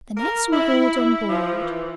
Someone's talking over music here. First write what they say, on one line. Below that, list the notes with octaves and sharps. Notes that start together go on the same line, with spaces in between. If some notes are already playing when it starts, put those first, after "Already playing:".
The nets were hauled on board.
A#4
E4
E4
F3
E3